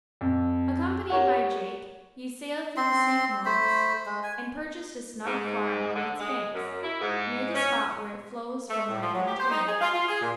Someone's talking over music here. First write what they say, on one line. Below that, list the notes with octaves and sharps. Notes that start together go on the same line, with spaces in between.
Accompanied by Jake, he sailed for the St. Lawrence and purchased a snug farm on its banks, near the spot where it flows from Lake Ontario.
F2
G4 A#4 C#5 F#5
C4 C6
A3 C5 B5
G#3
G#5
G#2
D3
G#3
F#2
E4
G#2
C#4
A3
A2
F3
F#3
G4
C5
D#4
G#4
F4
F4
G#4
A#2